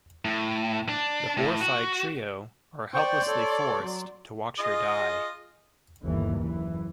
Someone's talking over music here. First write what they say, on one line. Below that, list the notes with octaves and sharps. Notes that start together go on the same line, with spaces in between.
The horrified trio are helplessly forced to watch her die.
A2
D4
A2
F#4
C5 D5 G5 C6 C#6
A4 C#5
F#3
F4 G#4 D#5
G1 D#2 E3
F#1 E3